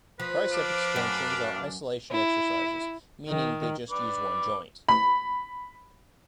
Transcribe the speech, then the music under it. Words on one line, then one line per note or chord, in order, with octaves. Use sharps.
Triceps extensions are isolation exercises, meaning they use just one joint.
F3 B4
D4 F5 D6
F#2
E4
D#3
D4 B4 D6
B5